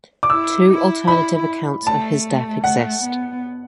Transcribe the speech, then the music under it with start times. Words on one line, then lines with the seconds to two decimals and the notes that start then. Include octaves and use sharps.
Two alternative accounts of his death exist.
0.23 D6
0.30 E4 E6
0.69 E4
1.08 E4 B5
1.86 A3 A5
2.64 A3 F#5
3.03 B3